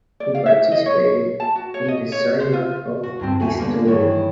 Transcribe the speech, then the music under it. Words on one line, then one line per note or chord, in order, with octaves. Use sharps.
He participated in the Synod of Pistoia.
D5
F5
E5
D#5
C#5
A5
F#4
C#5
D#5
C#5
C5
F4
F#4
D2 G2 C4
D#2 A3 F#4 G#5
D3 G3 A#3 B3
G2 D#3 E3 C#5